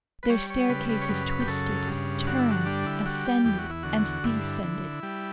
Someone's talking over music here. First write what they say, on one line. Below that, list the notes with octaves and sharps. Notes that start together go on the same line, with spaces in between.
Their staircases twisted, turned, ascended, and descended.
B4
G3 C#5
C#5
C#3 B4
B4
C#5
F#2 B4
G4
C#3 A4
G2
D3 F#4
E4
F#4
G3 D4
E4
G3 F#4
G4
E2 G4
F#4
E4
D3 F#4
G2 E4
D3
G3